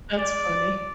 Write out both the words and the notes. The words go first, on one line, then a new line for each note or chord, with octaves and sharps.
That's funny.
D5